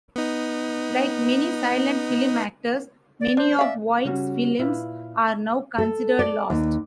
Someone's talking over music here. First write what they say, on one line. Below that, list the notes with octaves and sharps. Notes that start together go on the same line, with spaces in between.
Like many silent film actors, many of White's films are now considered lost.
B3 D#4
D5
D4 C5
D5 E5 F5
C#3 G3 C#4 F#4
A#2 E4 F4 B4
A4
D5
D#2